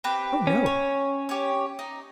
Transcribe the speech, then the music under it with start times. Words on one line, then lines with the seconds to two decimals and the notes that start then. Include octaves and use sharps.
"Oh no."
0.04 C4 G4 B4
0.47 C#4
0.66 C#5
1.29 G4 C#5
1.79 D#4